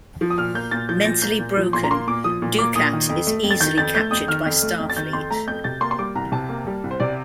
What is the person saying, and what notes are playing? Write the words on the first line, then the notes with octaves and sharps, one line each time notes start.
Mentally broken, Dukat is easily captured by Starfleet.
F3
D#6
A#2 F6
A#3 G6
A#2 A6
F3 G6
A#6
A#2 A6
A#3 G6
A#2
F3
A#2 C6
A#5
A#3 C6
A#2 D6
F3 D#6
A#2
A#3 D6
A#2 D#6
D#3
F2
A3
F2
A6
D#3 G6
F2 A6
A3 G6
F2 D#6
D#3 F6
F2
A3
F2
A6
D#3 G6
F2 C6
A3 A#5
F2 G6
C3 A6
A#3 C6
C6
G3 D6
C2 A#5
C3 A5
A#3
G3
C2
C5
C3 D5